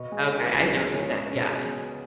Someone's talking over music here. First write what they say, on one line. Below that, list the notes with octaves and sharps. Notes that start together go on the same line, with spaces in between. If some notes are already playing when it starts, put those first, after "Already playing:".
Okay, I didn't know what you said. Yeah, I
Already playing: B2 B4 C#5 D#5
G#3
B3 G#4
B4
C#2 G#4
B2 B4
G#3 C#4 C#5
B3 B4
B2